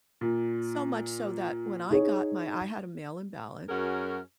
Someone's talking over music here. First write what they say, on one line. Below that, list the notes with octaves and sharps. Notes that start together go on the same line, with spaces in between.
so much so that when I got my I had a mail-in ballot,
A#2
D#4 G#4 C#5
F#2 C#4 F#4 G#4 A#4